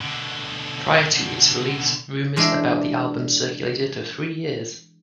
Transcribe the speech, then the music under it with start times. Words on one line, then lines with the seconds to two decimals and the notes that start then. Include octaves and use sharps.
Prior to its release, rumors about the album circulated for three years.
0.01 B2 D3
2.36 E3 G#3 D4